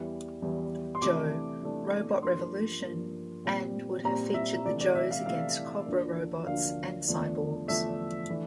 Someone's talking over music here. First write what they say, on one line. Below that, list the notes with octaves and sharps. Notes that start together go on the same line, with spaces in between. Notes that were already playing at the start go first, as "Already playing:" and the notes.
Joe: Robot Revolution, and would have featured the Joes against Cobra robots and cyborgs.
Already playing: E2 E3 G3
E2 E3 G3
C6
C3 E3 A3 D4 D6
C3 E3 A3 D4
G2 F3 A#3 C6
G2 F3 A#3
A#2 G3 C4
A#2 G3 C4 A#5
E5
C3 E3 A3 D4 D5
D5
E5
F5
C3 E3 A3 D4 F5
D2 D3 F3 A#3 D4
D2 D3 F3 A#3 D4 F5
E2 D3 F3 A3 D4
E2 D3 F3 A3 D4 E5
E3 A3 D4